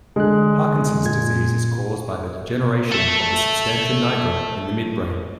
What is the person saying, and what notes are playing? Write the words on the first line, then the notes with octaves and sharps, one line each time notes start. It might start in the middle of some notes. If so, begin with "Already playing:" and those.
Parkinson's disease is caused by the degeneration of the substantia nigra in the midbrain.
D3 G#3 F#6
A#2 G#6
A4 E5